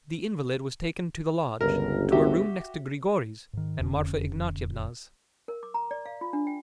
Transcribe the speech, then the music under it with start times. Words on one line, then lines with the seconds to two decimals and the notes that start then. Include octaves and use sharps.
The invalid was taken to the lodge, to a room next to Grigory's and Marfa Ignatyevna's.
1.61 G1 C#2 A#4
2.12 F#4 G4 E5
3.53 G#2 D#3
3.79 E1 F2 D3 C#4
5.48 A#4
5.63 D6
5.74 A#5
5.91 D5
6.06 F5
6.21 F4
6.33 D4
6.47 G5